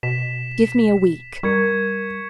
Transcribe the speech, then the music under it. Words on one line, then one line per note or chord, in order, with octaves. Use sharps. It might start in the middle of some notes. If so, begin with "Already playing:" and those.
Give me a week.'
B2 B6 E7
G3 A#4 C#6 G#6 C#7